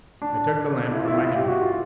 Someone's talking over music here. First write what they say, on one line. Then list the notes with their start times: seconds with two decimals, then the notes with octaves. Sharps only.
I took the lamp from my helmet.
0.22 D4
0.92 E4
0.99 F4
1.07 E4
1.14 F4
1.22 E4
1.35 G4
1.48 F#4
1.62 F4